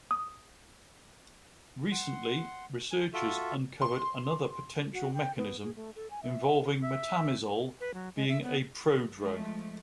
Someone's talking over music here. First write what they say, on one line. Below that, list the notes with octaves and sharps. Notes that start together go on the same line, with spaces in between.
Recently, researchers uncovered another potential mechanism involving metamizole being a prodrug.
D#6
F#5 C6
G#5
F4 F#4 A4 E5
C6
F#4
G5
B3
G#4
A3
A4
G#5
E5
E5
B4
F#3
G#3
E5
B3
F3 G#3 A3